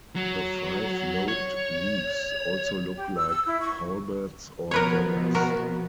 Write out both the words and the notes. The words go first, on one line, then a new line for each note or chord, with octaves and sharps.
The five-lobed leaves also look like halberds or daggers.
F#3
C#5
G4
E6
E6
E4
C#6
B2 F3 B3 A#4 B4 C#5
F#4 A#4